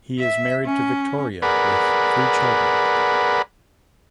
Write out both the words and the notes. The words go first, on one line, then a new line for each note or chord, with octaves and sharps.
He is married to Victoria with three children.
E5
C#4
G#4 A#4 B4 D5 F#5 B5